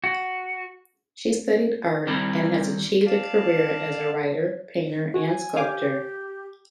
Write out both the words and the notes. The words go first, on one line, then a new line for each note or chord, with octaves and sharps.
She studied art and has achieved a career as a writer, painter and sculptor.
F#4
D#2 G3 C4 E4 D5 A#5
D5 F5 A5
F#4 G#5
G4 F5 G#5 D6